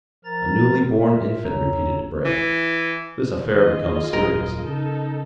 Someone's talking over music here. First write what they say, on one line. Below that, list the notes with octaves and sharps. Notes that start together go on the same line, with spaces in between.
"A newly born infant," repeated Debray; "this affair becomes serious!"
F3 A#4 A#5 A6
F4 A#4 E5
E2 G2 A4 C#5 A#5
E3
D#3 F4 G#4 D#5
D#1 F#2 G3 A#4
C#3 D#4 A4